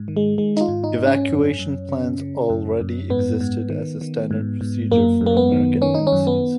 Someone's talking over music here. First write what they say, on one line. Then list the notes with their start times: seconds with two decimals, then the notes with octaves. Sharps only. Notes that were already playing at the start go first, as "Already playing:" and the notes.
Evacuation plans already existed as a standard procedure for American embassies.
Already playing: G#2
0.08 D#3
0.16 G#3
0.38 D#3 G#3
0.57 D#4
0.61 F4
0.68 G#2
0.84 D#4
0.99 G#2
1.07 C#4
1.29 F#2
1.59 F#2
1.89 C#3
2.20 C#3
2.50 F#2
2.81 F#2
3.10 G#2 B3
3.41 G#2
3.70 D#3
4.01 D#3
4.31 G#2
4.61 G#2
4.91 F#2 A#3
5.21 F#2
5.26 A#3
5.37 B3
5.52 D#3
5.82 D#3 C#4
5.95 D#4
6.07 C#4
6.12 F#2
6.27 B3